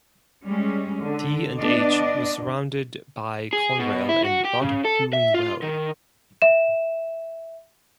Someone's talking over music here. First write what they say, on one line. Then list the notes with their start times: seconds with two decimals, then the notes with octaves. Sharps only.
D and H was surrounded by Conrail and not doing well.
0.45 G3 G#3 C#4
1.00 D3
1.57 B3 D4 D5 D#5
3.53 G#4
3.80 B2
4.09 E4
4.24 F#4
4.44 G4
4.61 C#3
4.85 A4
5.13 E5
5.34 F4
5.63 D#3
6.42 E5 E7